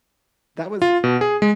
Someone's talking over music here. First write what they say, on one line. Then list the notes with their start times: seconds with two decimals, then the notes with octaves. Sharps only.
That was
0.82 F4
1.04 B2
1.21 G#4
1.42 G#3